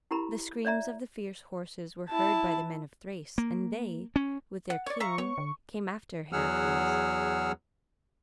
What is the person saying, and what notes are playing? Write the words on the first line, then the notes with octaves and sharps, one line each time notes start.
The screams of the fierce horses were heard by the men of Thrace, and they, with their king, came after Heracles.
E4 G4 A#4 A#5 B5
C#5 D5 E5 A#5
E4 A5
A#3
C#4
F#5
C#5 D5 C#6
E5 F5 A#5 C#6
B3 C#5
D3
E2 F#3 G#4 F#5 E6 F6